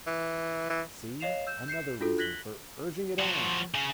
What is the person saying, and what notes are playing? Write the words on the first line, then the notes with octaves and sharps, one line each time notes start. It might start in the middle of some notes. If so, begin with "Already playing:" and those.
See another reason for urging it on!
E3
E3
C#5 D#5 F5 C7 E7 F7
E6 G6 E7
G6 C7 C#7 E7
D4 F4 F#4 A4
F#6 G#6 A#6 B6 F#7 G7
F3 F#4
C#3